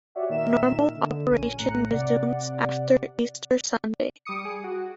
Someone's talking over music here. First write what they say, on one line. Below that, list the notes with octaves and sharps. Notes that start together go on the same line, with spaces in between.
Normal operation resumes after Easter Sunday.
F#4 G4 C#5 D5 E5 F#5
A#2 D#3 A#4 E5 E7
D3
A#1 C#4 D#7
A2 A#5 F#6 C#7
C3 D5 F#5
G3 D6 D#6 C#7
G#4
F#4